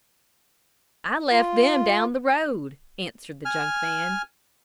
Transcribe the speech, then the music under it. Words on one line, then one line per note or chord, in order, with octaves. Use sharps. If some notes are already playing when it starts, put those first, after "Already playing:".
"I left them down the road," answered the junk man.
F4
G#5 F6